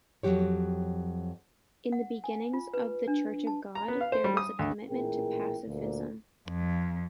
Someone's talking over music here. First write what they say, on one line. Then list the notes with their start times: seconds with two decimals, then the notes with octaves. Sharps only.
In the beginnings of the Church of God, there was a commitment to pacifism.
0.23 F2 C#3 F#3 G4 C#5
1.92 F#5
2.24 G#5
2.53 F4
2.74 B4
3.08 D4
3.47 A5
3.75 A#5
3.88 B3
4.01 F5
4.12 C5
4.24 G3
4.37 D#6
4.59 D2
4.90 A1 A#2 E4 G#4 A#4 G5
5.67 D2 A#2
6.47 F2